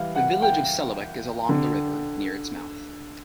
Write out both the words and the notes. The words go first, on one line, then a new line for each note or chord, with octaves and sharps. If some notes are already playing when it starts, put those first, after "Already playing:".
The village of Selawik is along the river near its mouth.
Already playing: E3 G3 F5
F#5
G5
D3